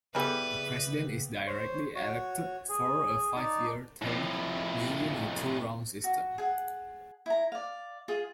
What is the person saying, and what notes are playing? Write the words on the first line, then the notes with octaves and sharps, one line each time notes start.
The President is directly elected for a five-year term using a two-round system.
C#3 E3 G3 B3 G4 A4 B4
C5 C#5
F#4 C#5
G#4
D#4 D5 A5
F2 A2
F#4
G#4 F#5
E4 A#5
D5 F5
F4 G#4